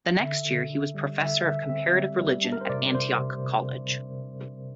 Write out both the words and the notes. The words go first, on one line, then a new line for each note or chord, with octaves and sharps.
The next year he was professor of comparative religion at Antioch College.
D3 E5
D3
D3
G3
D3 E5
D3 E5
C4 E5
G3
G3
D4
A#4
C5
C3 D5
C3 C5
C3
C3